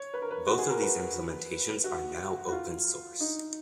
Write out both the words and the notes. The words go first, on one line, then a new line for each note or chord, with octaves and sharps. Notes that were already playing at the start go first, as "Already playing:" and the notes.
Both of these implementations are now open source.
Already playing: C#5
B4
A#4
B4
F#4
G#4
A#4
B4
F#4
F#4
F4
D#4